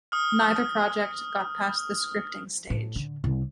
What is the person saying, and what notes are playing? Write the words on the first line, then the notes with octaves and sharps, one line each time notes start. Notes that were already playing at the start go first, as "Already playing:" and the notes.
Neither project got past the scripting stage.
D#6 F6
A2
D3
C2